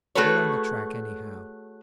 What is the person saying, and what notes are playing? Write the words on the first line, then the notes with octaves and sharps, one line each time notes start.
We're on the track anyhow.
A3 F#4 G#4 A4 B4 C#5